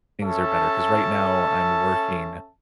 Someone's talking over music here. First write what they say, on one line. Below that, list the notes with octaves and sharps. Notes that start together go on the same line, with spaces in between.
things are better. 'Cause right now, I'm working
C#4 A4 E5 A5